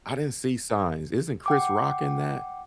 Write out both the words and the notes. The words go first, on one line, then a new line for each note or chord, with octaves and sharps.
I didn't see signs, isn't Chris Rock in that?
F#5 G5 D6